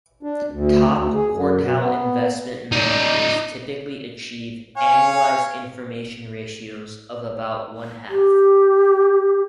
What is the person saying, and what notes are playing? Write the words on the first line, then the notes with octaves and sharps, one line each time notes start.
Top-quartile investment managers typically achieve annualized information ratios of about one-half.
D4
D2
D2
G#4
F#2
B2
B3
D#4 D5
C#5 F5 G#5
G4